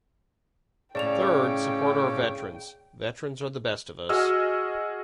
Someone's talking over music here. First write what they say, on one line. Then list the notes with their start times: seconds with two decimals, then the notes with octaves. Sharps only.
Third, support our veterans. Veterans are the best of us.
0.95 A2 C#3 C#4 D5 G5 A5 D6 F7
4.09 F#4 G#4 D#5 E6 F6